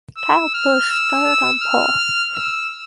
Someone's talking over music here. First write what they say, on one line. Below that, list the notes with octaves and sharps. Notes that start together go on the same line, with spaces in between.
Kyle Busch started on pole.
E6
F6
E6
F6
E6